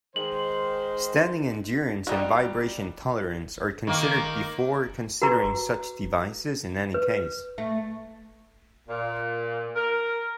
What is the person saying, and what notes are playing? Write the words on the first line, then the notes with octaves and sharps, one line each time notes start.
Standing endurance and vibration tolerance are considered before considering such devices in any case.
D#3 G#3 C5 F#7
G3 D#4 F#4
D#3 A#3
F#4 B4 A#5 C#6
B4
A3
A#2
A#4